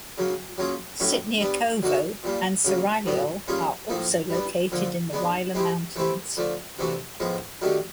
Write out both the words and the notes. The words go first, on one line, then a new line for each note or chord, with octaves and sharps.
Sitniakovo and Saragiol are also located in the Rila Mountains.
C#3 F#3 A#3
F#3 A#3 C#4 F4 G#4
A2 F#3 A3 C#4
G3 B3 D4
D3 F#3 A#3 D#4 F#4
A#2 G3 A#3
C#3 F#3 A#3
A2 F#3 B3 D4
G3 A#3 C#4 F4 G#4
A2 F3 A#3 D#4
G3 B3 D4
D3 F3 A#3
G#3 B3 D4
G#3 C4 E4 G4
E3 A3 C4 E4 G4
D3 F3 A3 D4
C3 E3 A3 D4 F#4
A2 F3 G#3 B3
D#3 F#3 A3 D4 G4